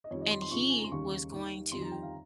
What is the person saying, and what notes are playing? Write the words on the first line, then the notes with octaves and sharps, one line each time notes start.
and he was going to
D#5
F2 D#3 G3 C#5
D#5
C6
C6
F2 C#3 F3 C#6
G#5
A#5
C6
D#2 C#3 G3 C#6
D#2 D#3 G3 C#6
F2 D#3 G3 C6
A#5
G5
F5